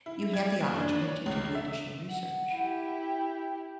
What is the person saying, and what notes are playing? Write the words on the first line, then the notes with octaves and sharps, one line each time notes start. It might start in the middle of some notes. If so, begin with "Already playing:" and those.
you have the opportunity to do additional research,
E4
G#6
F#1
D4
C#5
C#2
E5
F#5
E4 G4
G5